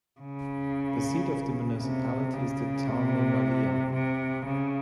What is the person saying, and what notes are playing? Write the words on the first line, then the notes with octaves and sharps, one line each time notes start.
The seat of the municipality is the town Memaliaj.
C#3
C3
C#3
C3
C3
C#3